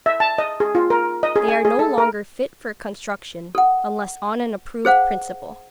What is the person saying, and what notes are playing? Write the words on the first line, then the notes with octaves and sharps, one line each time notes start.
They are no longer fit for construction unless on an approved principle.
E5
A5
D#5
G#4
F4
A#4
D#5
G#4
G#5
G#4
A4
A#4
A4 F#5
G#4 C5 F5 F#5